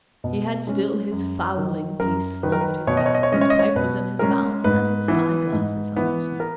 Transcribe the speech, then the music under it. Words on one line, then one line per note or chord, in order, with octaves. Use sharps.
He had still his fowling-piece slung at his back, his pipe was in his mouth, and his eye-glasses on his nose.
B2
G#3 C#4
F#2
D#3 F#3
F#2 A#4
D#3 F#3 B4
A#4
B4
B2 C#5
D#5
C#5
D#5
C#5
G#3 C#4 D#5
C#5
D#5
C#5
B2 B4
G#3 C#4 A#4
G#2 B4
E3 B3
G#2
E3 B3
A#4